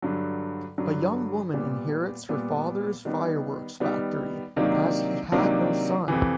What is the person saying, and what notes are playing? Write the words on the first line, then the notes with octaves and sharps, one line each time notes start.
A young woman inherits her father's fireworks factory, as he had no son.
G2 D3 F#3
G2 D3 F#3
A#2 G3 B3
A#2 G3 B3
D#3 G3 B3
D#3 G3 B3
C3 D#3 F#3 A#3 D4
C3 D#3 F#3 A#3 D4
F2 C3 E3